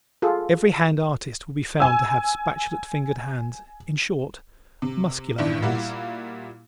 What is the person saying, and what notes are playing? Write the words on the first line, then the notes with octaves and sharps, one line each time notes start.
Every hand artist will be found to have spatulate-fingered hands--in short, muscular hands.
F4 G#4 A4
G#5 E6
C3
G2 D#3 E3 D4 E4
A#2 G3 A#3 E4 F#4